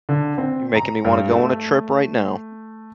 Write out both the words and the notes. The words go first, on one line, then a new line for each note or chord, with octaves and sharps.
You're making me wanna go on a trip right now.
D3
C4
A#5
G2
A3